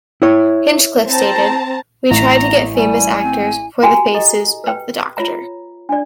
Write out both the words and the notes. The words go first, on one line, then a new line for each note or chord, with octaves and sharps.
Hinchcliffe stated, We tried to get famous actors for the faces of the Doctor.
E4 C#5
C4 A5 A#5
A1 A#5
G3 G#5
C4
E4 F#4 G4 G5 G#5 A#5
G4 A4 D#5 A#5
B4 G5
F4 C#5 E5 A#5
D4 D5